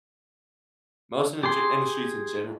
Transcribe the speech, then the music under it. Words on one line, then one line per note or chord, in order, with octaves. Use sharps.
most indu industries in general.
G4 G#4 C6